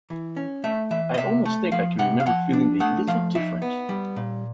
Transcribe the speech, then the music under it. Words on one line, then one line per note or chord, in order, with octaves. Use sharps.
I almost think I can remember feeling a little different.
E3
C#4
A3 E5
E3 E5
D#5
C3 E5
A3
F3 F5
C3 F#5
F5
F3 F#5
D4
A3 F#5
F3 F5
D#4 E5
B3
G3
A#2